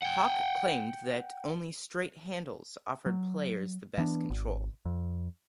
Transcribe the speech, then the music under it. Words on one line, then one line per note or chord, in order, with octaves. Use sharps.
Hock claimed that only straight handles offered players the best control.
F#5 G5
F#3
E3 B3 D4
G#1
F2